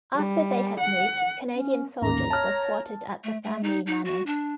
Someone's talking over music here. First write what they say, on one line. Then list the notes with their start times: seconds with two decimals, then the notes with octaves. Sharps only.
After they had moved, Canadian soldiers were quartered at the family manor.
0.16 G3
0.80 F#5
1.55 C#4
2.02 A1 D#2 A#3 A#5
2.30 C#5 A5 F6
3.24 A3
3.44 A3
3.63 D#4
3.86 D#4
4.05 F#4
4.26 D4